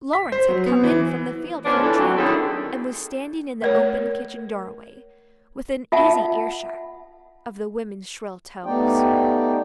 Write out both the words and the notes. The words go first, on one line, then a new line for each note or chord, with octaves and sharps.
Lawrence had come in from the field for a drink, and was standing in the open kitchen doorway, within easy earshot of the women's shrill tones.
B6
C5
F#3
B3
E3
F3 B3 C#4 D4
E3 D4 A4
D2 F#3 C4
D3 D#3 C#4 E4 G#4 A4
A3 A#4 C#5
F4 E5 F#5 A5
A3 B3 D#4 G4 D5 G5